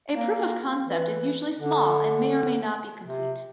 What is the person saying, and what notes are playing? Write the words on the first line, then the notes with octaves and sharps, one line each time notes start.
A proof of concept is usually small and may or may not be complete.
A#3
E3
D3
C3